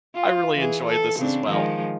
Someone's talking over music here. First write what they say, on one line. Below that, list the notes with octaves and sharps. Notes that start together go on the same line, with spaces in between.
I really enjoyed this as well.
F4
E3 G#4
A4
C#3 C4 D4
D#3 F3 G#3